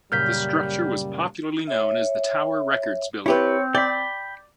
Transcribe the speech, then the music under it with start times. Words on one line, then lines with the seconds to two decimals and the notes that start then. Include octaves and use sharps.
The structure was popularly known as the "Tower Records building".
0.12 F#2 A#2 C#3 G3 F6 G6 B6
1.67 C#5 E5
3.26 C4 E4 G4 B4 C#5
3.75 D5 G5 B5